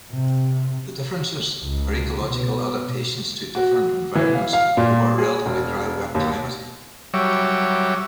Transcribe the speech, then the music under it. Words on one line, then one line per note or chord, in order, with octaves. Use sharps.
The differences are ecological adaptations to different environments over a relatively dry-wet climate.
C3
C#2
B2
F#4
E3
F5
F5
A#2
G#4
E1
D#2
F#3 G3 C#5 E5 D6